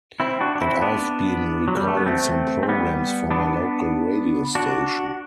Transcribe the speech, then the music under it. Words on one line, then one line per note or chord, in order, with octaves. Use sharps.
And I have been recording some programmes for my local radio station.
C4 E4
D4 F#4
D4
C4 E4
B3 D4
F#3
G3
A3
B3
A3 C4
C4
G3 B3
B3 D4
D4 F#4